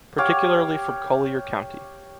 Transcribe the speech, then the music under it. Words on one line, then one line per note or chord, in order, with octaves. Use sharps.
Particularly from Colliure county.
G4 C#5 F5 D6